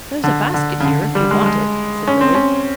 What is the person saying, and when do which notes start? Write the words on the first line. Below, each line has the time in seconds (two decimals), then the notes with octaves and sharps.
"There's a basket here, if you want it," said Billy.
0.24 D3
0.54 D3
0.80 C#3
0.85 D3
1.15 G3
1.31 G#3
1.46 G#3
2.08 C#4
2.21 C4
2.35 C#4